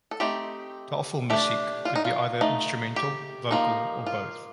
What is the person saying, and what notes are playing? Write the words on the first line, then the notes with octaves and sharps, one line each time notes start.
"Tafelmusik" could be either instrumental, vocal, or both.
A4
A3 C4 D#4 G4
A3 D4 G4
F4
D#4
F4
A3 D#4
G4
F3 A#3 D#4
F4